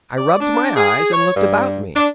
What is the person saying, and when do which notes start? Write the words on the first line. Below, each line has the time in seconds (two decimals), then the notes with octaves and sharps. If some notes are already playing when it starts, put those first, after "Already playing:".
I rubbed my eyes, and looked about me.
0.18 D5
0.40 D4
0.76 G#4
1.13 C#5
1.36 G2
1.95 D4